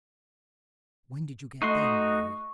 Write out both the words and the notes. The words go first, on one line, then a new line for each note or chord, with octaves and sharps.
"When did you get them, Harry?"
A3 D#4 F#4 D#5 C6 C#6